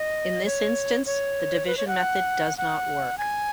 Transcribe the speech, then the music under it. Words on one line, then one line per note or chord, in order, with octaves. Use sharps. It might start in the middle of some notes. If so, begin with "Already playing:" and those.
In this instance, the division method does not work.
Already playing: D#5
C#5
C#5
B4
C#5
F#5
F#5
G#5